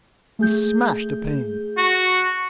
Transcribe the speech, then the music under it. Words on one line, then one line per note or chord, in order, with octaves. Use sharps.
He smashed a pane.
A3 G#4 G6
F#4